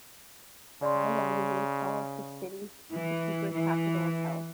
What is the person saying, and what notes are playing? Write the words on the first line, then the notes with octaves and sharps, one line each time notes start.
Time Magazine called the city "The secret capital of health".
C#3 D5 C6
E3
E3